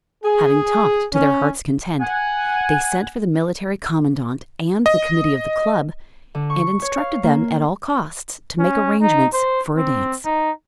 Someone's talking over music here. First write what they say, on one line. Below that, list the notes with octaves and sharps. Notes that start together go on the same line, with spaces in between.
Having talked to their hearts' content, they sent for the Military Commandant and the committee of the club, and instructed them at all costs to make arrangements for a dance.
G#4
C#4
F#5 G#5
D#5
D3
C#6
C#5
F5
A#3
C#4
D#4
C5
C4
D#4